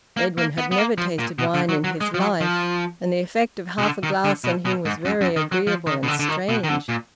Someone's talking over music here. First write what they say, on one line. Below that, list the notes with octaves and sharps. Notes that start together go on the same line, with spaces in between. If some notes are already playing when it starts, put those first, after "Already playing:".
Edwin had never tasted wine in his life, and the effect of half a glass on him was very agreeable and strange.
A#3
A#3
B3
B3
A#3
F3
A#2
B2
D3
F#3
F#3
G#3
F3
F#3
F3
B2
D3
D#3
D3
B2
B2
G#2
F#2
F#2
D#3
F#3
F3
D#3
B2
D3
D3
D#3
B2
D#3
D3
A#2